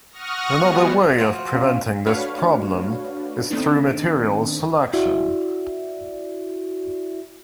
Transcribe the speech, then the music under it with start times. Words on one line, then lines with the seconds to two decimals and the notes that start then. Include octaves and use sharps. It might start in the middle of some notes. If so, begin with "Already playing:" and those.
Another way of preventing this problem is through materials selection.
0.10 F#5 C#6 D#6 F6 A#6
0.58 G3 G#3 B3 F#4
1.18 F3 F4 F#4
1.53 C#4 F5
2.06 A3 D4 F#4 B4 C#5 F5
3.50 D#3 A3 B3 C4 D4 D#4
4.93 E4 F#4 D5 E5